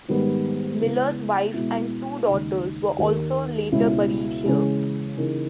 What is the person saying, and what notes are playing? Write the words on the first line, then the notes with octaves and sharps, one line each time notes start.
Miller's wife and two daughters were also later buried here.
G#2 D#3 G3 B3
C#3 G#3 B3 E4
B2 G#3 B3 E4
D#2 C#3 G#3 D#4
D#2 D#3 A#3 D#4
C#2 B2 G#3 C#4 E4
C#3 E3 G#3 C#4
C#3 E3 A#3 D#4